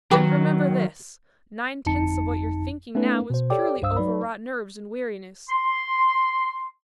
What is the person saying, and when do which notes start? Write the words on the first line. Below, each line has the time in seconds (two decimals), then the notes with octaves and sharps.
And remember this--nine-tenths of what you're thinking now is purely over-wrought nerves and weariness.
0.12 D#3 F#3 G4 B4 D5
1.86 G1 F2 D#4 A5 C#7
2.95 A3 B3 C#4 D#4 A4 B4
3.30 B2 C5
3.50 G4 A4 C#5 D5 G5 D6
3.82 C2 G2 C5 F5 D#6 E6
3.97 F#3 D#4 B4 D5 B5
5.50 C6